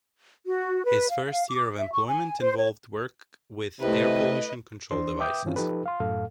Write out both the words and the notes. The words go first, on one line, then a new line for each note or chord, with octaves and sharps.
His first year of employment involved work with air pollution control devices.
F#4
B4
F5
F5
D6
E5
C#6
G#5
C5
C#5
C3 A3 E4 B4 D#5
D#2 E3 D4 C5 C6
B4 E5 G5 D6 D#6 G6
G2 D#3 E3 C4 C#4 F4
F3 D#4 G4 A4 B4
F5 C6
F#2 A2 A4 F5